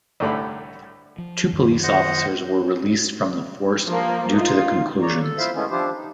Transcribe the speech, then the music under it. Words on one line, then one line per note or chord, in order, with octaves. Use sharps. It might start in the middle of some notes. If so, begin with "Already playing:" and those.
Two police officers were released from the force due to the conclusions.
C2 A2 D3 A3 B5
F3
F#2 D#3 F3
C5 D#5 F#5
F3 A#3
D#4 F4
C#5 D5 A#5
A4
E4 F4 C5 E5 F5
G#3 A3 B3 C#4 E4 F4
F3 D4 E4 F4 G4 C5
D#4